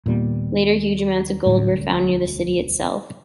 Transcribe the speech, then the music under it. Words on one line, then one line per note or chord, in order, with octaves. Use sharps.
Later huge amounts of gold were found near the city itself.
D#2 A#2 D#3 G3 B3
E1 D2 A2 D3 G3